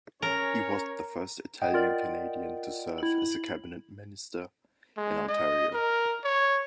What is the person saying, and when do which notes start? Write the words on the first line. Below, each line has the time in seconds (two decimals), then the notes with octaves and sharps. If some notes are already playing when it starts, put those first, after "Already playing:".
He was the first Italian-Canadian to serve as a cabinet minister in Ontario.
0.22 C#4 A#4 C#5
1.62 D#5 F#5 G5
1.74 F4 A#4 D5
2.98 E4 F#7
4.97 G#3
5.28 D#5
5.73 A#4
6.24 C#5